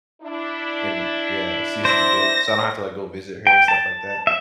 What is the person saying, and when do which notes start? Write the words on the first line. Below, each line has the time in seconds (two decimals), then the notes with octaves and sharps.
and, yeah, see if she's good. So I don't have to, like, go visit her and stuff like that.
0.22 D4 E4
1.85 C5 E5 A#6
3.47 G5
3.68 A5
4.27 E5